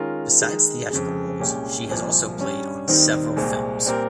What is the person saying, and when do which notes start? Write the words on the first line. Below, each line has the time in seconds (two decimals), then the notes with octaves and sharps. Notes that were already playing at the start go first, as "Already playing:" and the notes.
Besides theatrical roles she has also played on several films.
Already playing: D#3 G#3 C#4 F4 A#4
0.41 D#3 G#3 D#4 G#4
0.91 F2 C#3 G#3
1.40 C2 A#2 G#3 C#4 G4
1.89 C2 A#2 F3
2.38 G2 G3 C#4
2.88 D#2 D#3 G3 C4 D#4
3.36 C2 A#2 G#3 C4
3.86 A#2 G3 C4 G4 A#4